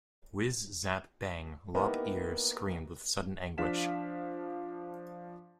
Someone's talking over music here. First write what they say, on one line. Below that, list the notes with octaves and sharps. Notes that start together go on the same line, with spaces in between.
Whiz-zip-bang. Lop-Ear screamed with sudden anguish.
A#3 B3 D#4 E4 G4 D#5
F3 D4 F5 B6 E7